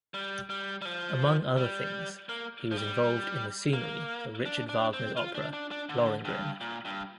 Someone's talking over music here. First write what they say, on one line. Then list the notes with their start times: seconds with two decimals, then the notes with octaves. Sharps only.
Among other things he was involved in the scenery for Richard Wagner's opera "Lohengrin".
0.14 G3
0.50 G3
0.82 G3
0.85 F3
1.58 G3
2.29 A#3
2.71 F3
2.77 G3
3.74 A#3
4.46 D4
4.69 D4
4.93 C4
5.17 F4
5.35 D4
5.53 D4
5.71 D4
5.89 D3
6.25 G2
6.61 A#2
6.85 G2